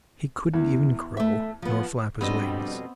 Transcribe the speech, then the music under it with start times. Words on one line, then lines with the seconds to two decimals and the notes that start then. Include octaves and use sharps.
He couldn't even crow, nor flap his wings.
0.54 E2
1.17 A3 E5
1.62 F3 B3
2.21 F2 B2 G3 B3 C4 D4 D#5